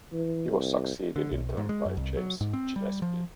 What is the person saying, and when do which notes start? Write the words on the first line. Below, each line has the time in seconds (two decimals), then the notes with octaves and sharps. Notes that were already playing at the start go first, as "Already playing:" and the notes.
He was succeeded in turn by James Gillespie.
0.12 E3
0.51 C2
1.16 D3
1.32 B1
1.57 G#2
1.69 G#3
1.85 F#2
1.97 C2
2.17 F#3
2.41 G#2
2.53 C4
2.76 G3
3.02 F3